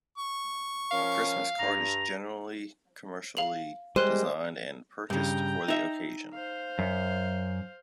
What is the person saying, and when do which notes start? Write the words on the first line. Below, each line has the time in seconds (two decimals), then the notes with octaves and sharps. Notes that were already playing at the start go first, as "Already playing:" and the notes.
A Christmas card is generally commercially designed and purchased for the occasion.
0.18 C#6
0.91 F3 C#4 A#4 F5
1.59 G2 A#5
3.37 F5 F7 F#7
3.96 G3 G#3 A#4 C5 F#6 D#7
5.10 G2 C#3 G5 A#5
5.68 D#4 E5
6.34 C5 F5
6.79 F#2